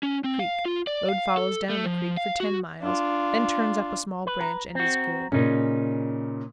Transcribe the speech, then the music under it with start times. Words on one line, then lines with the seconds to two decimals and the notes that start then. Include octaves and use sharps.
Creek.--Road follows down the creek for ten miles, then turns up a small branch, and is good.
0.03 C#4
0.24 C4
0.39 F5
0.65 F4
0.87 D5
1.09 F5
1.37 A4
1.70 A3
1.86 F3
2.17 F5
2.40 F#4
2.82 D4 F4
4.27 B4
4.41 A#5
4.75 C4 F#4
5.32 A#2 C#3 C#4 D#4